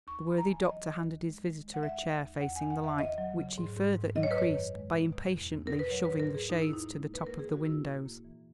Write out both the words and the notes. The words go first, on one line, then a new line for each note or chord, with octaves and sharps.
The worthy doctor handed his visitor a chair facing the light, which he further increased by impatiently shoving the shades to the top of the windows.
D#2 C#6
D#2 B5
A#5
E3 G#5
F#3 D#5
D#2
D#2
G#3
D#3
G#3
F#5
D#2 E5
D#2
D#2
E2 F#5
D#3 G#5
F#5
E2
E5
C#3 D#5
F#3
C#3
G#2
G#2
G#2
F#3 D#5
C#5
B4
F#2 C#5
D#3
G#3
B2
B2
E2
E2
A#4
B2
B4
F#3 C#5
G#2 B4
A#4
G#2 G#4
D#2 D#4
E4
D#2 D#4
G#3
A#3
B4
A#3 A#4
G#4
D#3
F#4
A#3 E4
A#2
A#3
E3